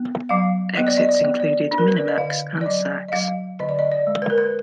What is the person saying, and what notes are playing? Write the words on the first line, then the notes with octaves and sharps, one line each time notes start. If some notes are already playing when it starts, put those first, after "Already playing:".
Exits included Minimax and Saks.
Already playing: B3
F#3 F5
B3 D#5
D5
D#5
D5
B3
D5
D4
A#4
B4
D5
D#5
D3 F5
D5
F#3 D#5
D#5
F#3 F5
D3 D#5
D5
D#5
D5
G#3
B4
A#4
B4